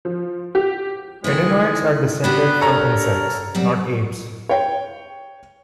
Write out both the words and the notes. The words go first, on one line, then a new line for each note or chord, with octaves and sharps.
Edenoites are descended from insects, not apes.
F3
G4
D#3 G#3 A3 E4
B3 D4 F#4 G4
A4 A#4 C#5 A#5
F#3 G3 C4
C#5 G5